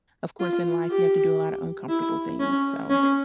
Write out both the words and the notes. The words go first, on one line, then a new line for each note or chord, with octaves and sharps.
of course, in life, you have to do a lotta uncomfortable things. So,
F4
G4
E4
C#4
C#4